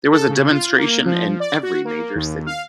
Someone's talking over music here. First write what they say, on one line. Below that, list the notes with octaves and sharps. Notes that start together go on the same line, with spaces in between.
There was a demonstration in every major city.
A4
C#3
F4
A#3
F3
D5
F#4
A#3
D#2
F5